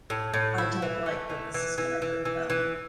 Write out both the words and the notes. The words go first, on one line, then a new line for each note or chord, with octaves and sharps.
I don't like that this is gonna hurt them
A2
A2
E4
E3
A3
E3
E3
E3
E3
E3
E3